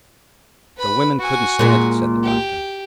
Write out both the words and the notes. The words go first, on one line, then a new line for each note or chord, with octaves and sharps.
"The women couldn't stand it," said the Doctor.
B4 B5
F#4 G#5
A#2 G#3
G4